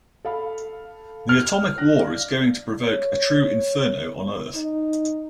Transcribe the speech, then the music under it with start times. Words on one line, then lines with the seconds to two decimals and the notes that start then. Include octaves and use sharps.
The atomic war is going to provoke a true inferno on Earth.
0.25 A4 F5 B5
1.29 F6
1.78 D4 F#6 A#6
1.99 D5 F5
2.83 C#5
4.56 D#4